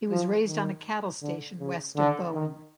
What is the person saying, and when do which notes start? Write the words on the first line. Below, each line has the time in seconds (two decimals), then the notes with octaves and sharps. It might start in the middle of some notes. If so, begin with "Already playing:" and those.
He was raised on a cattle station west of Bowen.
0.10 F3
0.47 D#3
1.22 D3
1.60 C#3
1.96 D3
2.34 D#3